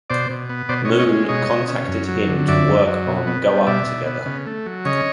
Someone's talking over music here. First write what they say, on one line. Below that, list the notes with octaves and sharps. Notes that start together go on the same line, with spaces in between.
Moon contacted him to work on "Go Up" together.
B2 C5 D5
B2
B3
B2 C5 D5
C#5 D#5
C#4
C#5 D#5
G#3
B2 C#5 D#5
B2
C#4
F#2
F#3
D3
F#2 D5 E5
F#2
F#3
B2
B3
G3
B2 D5 E5
B2
B3
C#3
A3
F#3
C#3 C#5 D#5